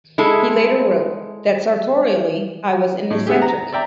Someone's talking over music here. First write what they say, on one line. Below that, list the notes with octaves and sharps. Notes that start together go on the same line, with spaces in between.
He later wrote that sartorially I was an eccentric.
G#3 E4 A4
A2
G4 G#4 E5 F#5
A#5
D5 E5 G5 A#5